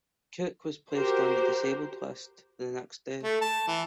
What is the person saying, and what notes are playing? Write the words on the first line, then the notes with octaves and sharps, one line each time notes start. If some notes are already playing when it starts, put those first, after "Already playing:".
Cook was placed on the disabled list the next day.
F#4 G4 A#4 C5
A3
A5
E3